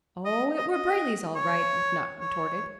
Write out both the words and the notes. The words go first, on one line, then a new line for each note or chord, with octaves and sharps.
"Oh, it were Brayley's, all right," McNutt retorted.
D#5
D#5
D#5
C#5
C#5